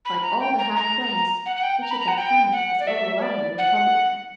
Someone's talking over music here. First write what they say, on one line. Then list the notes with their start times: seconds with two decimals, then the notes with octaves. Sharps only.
Like all the High Plains, Wichita County is overwhelmingly Republican.
0.05 B5
0.22 A#5
0.40 G5
0.58 A#5
0.75 A#5
1.46 F#5
1.56 F#5
1.63 G5
1.82 A#5
1.91 B5
2.00 A#5
2.08 F#5
2.17 G5
2.52 F#5
2.80 D5
2.87 E5
3.18 C#5
3.22 D5
3.58 F#5